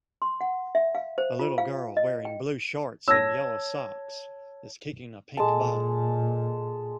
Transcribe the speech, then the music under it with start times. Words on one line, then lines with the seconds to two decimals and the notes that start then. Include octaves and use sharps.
A little girl wearing blue shorts and yellow socks is kicking a pink ball.
0.22 C6
0.41 F#5
0.75 E5
0.95 F5
1.18 C5
1.39 F4
1.58 F5
1.97 D#5
2.25 G5
3.08 C#5 A5 E6 G#6 A#6
5.37 A#2 G#3 A4 A5